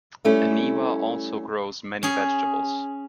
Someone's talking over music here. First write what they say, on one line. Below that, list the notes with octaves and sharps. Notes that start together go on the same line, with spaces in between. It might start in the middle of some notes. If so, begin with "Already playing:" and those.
Eniwa also grows many vegetables.
G3 A3 C#4 E4
C#4 G#4